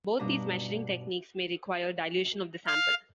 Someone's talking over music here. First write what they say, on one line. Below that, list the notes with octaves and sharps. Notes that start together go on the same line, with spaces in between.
Both these measuring techniques may require dilution of the sample.
G2 B2 D4 B4 A#5
F5